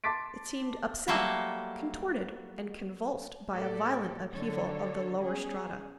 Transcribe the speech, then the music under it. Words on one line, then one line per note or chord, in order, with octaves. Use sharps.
It seemed upset, contorted, and convulsed by a violent upheaval of the lower strata.
A5 C6 D6 A6 B6 D7
F#3 G3 A3 A#3 A4
A2 A#3 G4 A4 D5
D3 F#3 A4 C#5
G3 B3 C#4 G#4